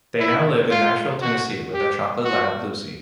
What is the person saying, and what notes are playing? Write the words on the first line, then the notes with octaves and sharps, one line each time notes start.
They now live in Nashville, Tennessee with their chocolate lab, Lucy.
E4
F4
F#4
G4
F#4